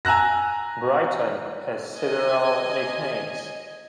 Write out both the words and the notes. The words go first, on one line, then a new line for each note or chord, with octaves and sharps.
Brighton has several nicknames.
G#5 A#5 E6 F#6 A#6
D#5 G#5